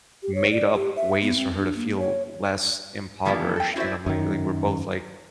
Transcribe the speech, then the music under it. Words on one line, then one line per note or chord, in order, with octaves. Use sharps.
made-up ways for her to feel less impoverished, and I'm, like like, we're both, like
G4
C#5
D5
G4
E5
B3
C4
D4
A#3
C#5
E3 F3 G3 A#3 B3 D4
A4 G5
E4 F#4 C5 D5 E5
F#2 D#3